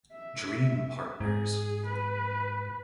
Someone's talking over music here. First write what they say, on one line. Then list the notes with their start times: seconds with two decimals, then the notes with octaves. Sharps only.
Dream Partners.
0.12 E5
1.20 G#2 G#4
1.87 B4